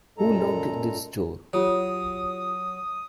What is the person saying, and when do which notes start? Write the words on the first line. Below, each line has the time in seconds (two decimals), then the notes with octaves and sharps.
Who locked this door?
0.18 F#2 A#2 G#3 A4 A#5
1.53 F#3 F4 G4 C#5 D#6